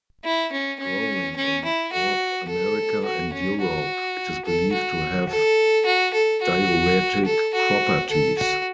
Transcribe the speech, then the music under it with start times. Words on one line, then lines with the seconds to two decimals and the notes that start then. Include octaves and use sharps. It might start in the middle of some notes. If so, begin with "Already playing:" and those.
Growing in North America and Europe, it is believed to have diuretic properties.
0.25 E4
0.52 C#4
0.80 C#4
1.36 C#4
1.65 E4
1.92 F#4
2.49 A4
3.05 F#4
3.33 C#4
3.61 F#4
4.45 A4
4.73 F#4
5.29 A4
5.86 F#4
6.14 A4
6.42 F#4
7.25 A4
7.54 F#4
8.10 A4
8.38 F#4